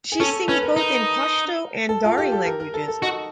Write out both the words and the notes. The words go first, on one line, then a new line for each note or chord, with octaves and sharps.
She sings both in Pashto and Dari languages.
G#4
C#4 A4
C#4 B4
A#4
D#4
A4
F4
G4
A4
A#4
A#4
A4
A4
D#4 F#4